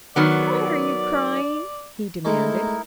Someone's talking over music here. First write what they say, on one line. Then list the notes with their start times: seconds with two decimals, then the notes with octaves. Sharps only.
"Why are you crying?" he demanded.
0.16 D#3 F#3 B3 D5
2.25 G#3 A3 D#4 E4 A#4